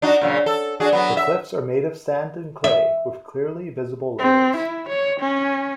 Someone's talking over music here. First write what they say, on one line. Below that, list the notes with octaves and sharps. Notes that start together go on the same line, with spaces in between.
The cliffs are made of sand and clay with clearly visible layers.
D4 D#4 F#4
A#2 C#3 F#3
A4
D4 F#4 G#4
F#3 B3
E5
E5
C4
E4
C#5
C#4